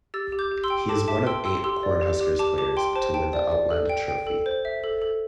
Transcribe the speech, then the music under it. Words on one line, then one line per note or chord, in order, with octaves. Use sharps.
He is one of eight Cornhuskers players to win the Outland Trophy.
G4 E6 A6
G4
D6 G6
G4
C6 E6
G5
A4 A5 D6
E5 A5 D6
G5 C6 E6
G5 C6 E6
G4 C6 E6
D5
G4
G4
G4 A5 D6
G4 A5 D6
G5 C6
C5 A5
G5 A5
D5
D5
A4
G5
G5
A4
C5
E5
A4
A4